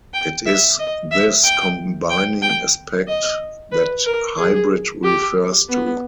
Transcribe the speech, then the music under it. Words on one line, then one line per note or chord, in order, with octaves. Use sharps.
It is this combining aspect that "hybrid" refers to.
G5
E5
D#5
E5
G5
G5
G5
D#5
B4
A#4
G#4
G4
B3